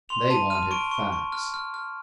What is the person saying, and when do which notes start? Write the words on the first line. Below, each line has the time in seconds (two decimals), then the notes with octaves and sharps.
They wanted facts.
0.09 C6 F7
0.30 A5 D#7
0.50 F6 D#7
0.71 C#6 D7
0.91 C#6
1.12 C#6
1.32 F6
1.54 F6
1.74 F6